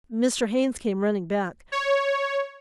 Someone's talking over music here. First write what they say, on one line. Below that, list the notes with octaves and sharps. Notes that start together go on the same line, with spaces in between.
Mr. Haynes came running back.
C#5